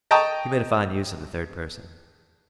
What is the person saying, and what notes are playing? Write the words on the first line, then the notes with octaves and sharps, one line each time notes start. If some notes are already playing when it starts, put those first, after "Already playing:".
He made a fine use of the third person.
D#5 G5 A5 A#5 C#6 D#6